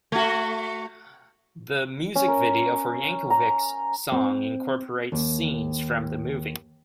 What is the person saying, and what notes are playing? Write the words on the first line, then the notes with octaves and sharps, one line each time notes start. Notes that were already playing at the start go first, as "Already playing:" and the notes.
The music video for Yankovic's song incorporates scenes from the movie.
A3 F#4
C#4
A#4
A#5
C4
D#2